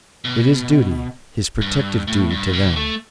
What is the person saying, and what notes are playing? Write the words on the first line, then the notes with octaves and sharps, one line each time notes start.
It is duty, his protective duty to them.
B2
G2
A2
G2
B2
A3